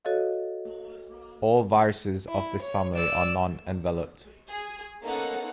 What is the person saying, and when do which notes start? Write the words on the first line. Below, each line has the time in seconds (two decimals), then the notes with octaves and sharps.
All viruses of this family are non-enveloped.
0.05 F#4 A4 C#5 D#5 F5
2.29 E4
2.62 C#5
2.96 D5 E6
4.49 G#4
5.02 A#3 B3 C#4 D#4 A4 F#5